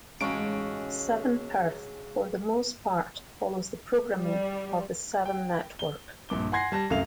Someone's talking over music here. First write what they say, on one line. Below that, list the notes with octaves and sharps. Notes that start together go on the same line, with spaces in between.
Seven Perth for the most part follows the programming of the Seven Network.
A1 C#3 G#3 C#4 D#4 F#4 C#6 D7
G3
G5
G7
A#1 G2 D6 G7
F#5 G#5 C6 G#6 A#6 C7
G3 A5 A#6
C2 F#2 A3 F5 F7